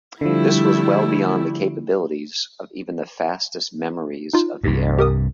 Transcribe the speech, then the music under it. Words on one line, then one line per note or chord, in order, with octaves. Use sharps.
This was well beyond the capabilities of even the fastest memories of the era.
D3 F3 G3 A3 E4
D#4 F4
C2 G2
G4 A#4 D#6